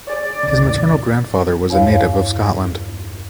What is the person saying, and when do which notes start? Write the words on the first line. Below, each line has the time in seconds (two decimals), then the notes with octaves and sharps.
His maternal grandfather was a native of Scotland.
0.07 G#4 C#5 D5
0.43 C2 C#3
0.61 E2 A2 E3
1.70 E2 G2 E4 C#5 F5